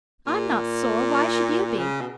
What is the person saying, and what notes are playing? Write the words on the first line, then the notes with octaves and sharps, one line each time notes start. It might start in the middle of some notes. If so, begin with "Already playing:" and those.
I'm not sore, why should you be?
A#2
C#3
B2